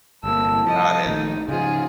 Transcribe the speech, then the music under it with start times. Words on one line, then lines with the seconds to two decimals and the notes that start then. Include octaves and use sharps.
Got it.
0.24 G1 C2 A2 A#3 A5 E6
0.67 F3 D#5
1.06 A#1 D#3 A3 D#4
1.49 G#2 C#3 F3 F4 G#4